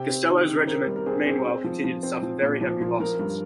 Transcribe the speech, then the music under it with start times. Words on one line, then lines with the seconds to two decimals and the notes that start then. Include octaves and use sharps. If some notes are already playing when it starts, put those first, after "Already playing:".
Gastello's regiment meanwhile continued to suffer very heavy losses.
Already playing: C3 G5
0.09 C4
0.29 D#3
0.48 D#3
0.67 C4 A#4
0.87 G3
0.96 A#4
1.06 C4 G#4
1.25 C4 G#4
1.45 C4
1.64 F3
1.84 F3
2.03 C4
2.23 F3
2.42 A#2
2.61 F3
2.81 F3
3.00 F3 A#4
3.19 G2 A#4